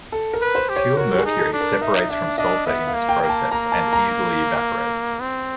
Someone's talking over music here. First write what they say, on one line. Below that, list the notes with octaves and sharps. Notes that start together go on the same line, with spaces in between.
Pure mercury separates from sulfur in this process and easily evaporates.
A4
A#4
B4
C5
G4
C#5
F#4 A#4
G4
G#4
D#4
A4
D4
A#4
D#4 E5
D4 E5
D4 D#5
B3 E5
F5
A#3
G5
A#3
A5
A#3 A#5
A5
A#5
C4